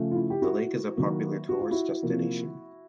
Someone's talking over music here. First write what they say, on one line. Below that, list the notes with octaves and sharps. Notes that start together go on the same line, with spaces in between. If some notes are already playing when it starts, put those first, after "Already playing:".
The lake is a popular tourist destination.
Already playing: C#3 F3 A3
F4
E4
G4
E4 F#4
D#3 F#3 A#3
F#4
F4
E4 F#4
C3 F3 A#3